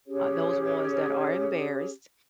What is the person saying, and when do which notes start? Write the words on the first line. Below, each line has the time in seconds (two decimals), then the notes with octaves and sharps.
uh, those ones that are embarrassed,
0.06 C#4 G4 G#4 C#5